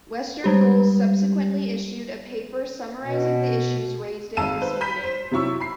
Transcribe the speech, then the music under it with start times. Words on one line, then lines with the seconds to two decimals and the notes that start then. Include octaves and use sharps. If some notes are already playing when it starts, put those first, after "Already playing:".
Western Goals subsequently issued a paper summarising the issues raised at this meeting.
0.44 G3 G#3 G4
3.04 B2
4.37 G#1 G#3 F5 A5 E6 D#7
4.61 B4 C5
4.81 B5 G6 B6 D#7
5.03 C5
5.31 C3 F#3 E4 C#6 E6
5.60 B5 C7